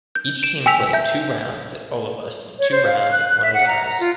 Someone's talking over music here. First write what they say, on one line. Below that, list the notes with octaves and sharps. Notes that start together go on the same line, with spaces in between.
Each team played two rounds at Olivos and two rounds at Buenos Aires.
G6
D7 E7
G5 G#5 E6 B6 F7
E5 G6
C#5
C5
F5
F5
F#6
F#6
E5
F#5
A#5
A#5
F4